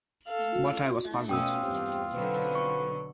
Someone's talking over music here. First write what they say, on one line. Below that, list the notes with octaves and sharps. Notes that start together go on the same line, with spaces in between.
But I was puzzled.
A4 F5
B2 A3 C#4 F4 G5 D#6 E6
E2 G2 C4 G4
B1 B2 D3 F#3 C4 B4
C#6